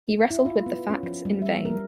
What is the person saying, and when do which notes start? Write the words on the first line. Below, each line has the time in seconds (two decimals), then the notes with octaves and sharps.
He wrestled with the facts in vain.
0.31 E4
0.46 F4
0.66 B3
0.90 C#4
1.03 F3
1.25 G3
1.42 E5
1.65 A#4